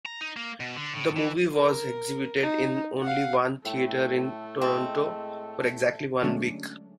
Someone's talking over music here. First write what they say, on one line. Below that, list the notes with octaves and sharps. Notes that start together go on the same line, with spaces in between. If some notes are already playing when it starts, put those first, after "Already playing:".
The movie was exhibited in only one theater in Toronto for exactly one week.
A#5
D#4
A#3
B2
D3
A2
E3
A#4
D#4
F5 F#5
A2 A3 A4 G5
G#3 C4 A4
D3 F#3 G#3 A3 C#4 D4